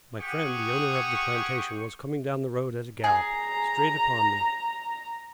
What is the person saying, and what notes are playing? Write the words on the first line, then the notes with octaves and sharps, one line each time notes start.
My friend the owner of the plantation was coming down the road at a gallop, straight upon me.
G4 G#4 F#5 C#6
G#4 A#5